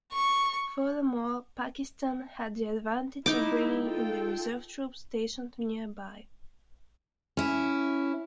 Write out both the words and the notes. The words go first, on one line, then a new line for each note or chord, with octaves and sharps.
Furthermore, Pakistan had the advantage of bringing in the reserve troops stationed nearby.
C#6
G#3 D#4 E4 D6
F4 A4 G5
C#4 E4